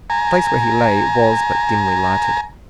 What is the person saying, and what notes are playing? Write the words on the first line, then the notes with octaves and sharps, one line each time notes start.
The place where he lay was but dimly lighted.
G#5 A#5